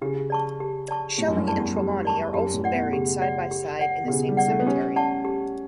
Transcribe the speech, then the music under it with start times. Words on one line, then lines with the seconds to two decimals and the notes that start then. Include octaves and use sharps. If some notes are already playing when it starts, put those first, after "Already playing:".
Shelley and Trelawny are also buried side by side in the same Cemetery.
0.01 C#3 G4
0.30 D5 A5 C#6
0.60 G4
0.88 D5 A5 C#6
1.18 A2 G4
1.28 F#2
1.37 G2
1.47 D5 A5 C#6
1.56 E2
1.76 F#2 G4
2.05 D5 A5 C#6
2.34 F#2 G4
2.54 A2
2.64 D5 F#5
2.73 B2
2.92 C#3 G4
3.22 D5 F#5
3.51 G4
3.79 D5 F#5
4.04 B2
4.08 C#3 G4
4.29 G3
4.37 D5 F#5
4.48 A3
4.60 B3
4.67 C#4 G4
4.96 D5 F#5 A5 C#6
5.25 G4